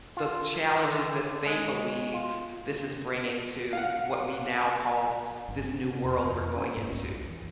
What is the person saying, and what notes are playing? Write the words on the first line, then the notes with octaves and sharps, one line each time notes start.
the challenges that they believe this is bringing to what we now call this new world we're going into.
F4
D3
G#3
F4
F5 F#5
G1
C4
C3
E2
F2
C#4
G#2
C2
F#2
E3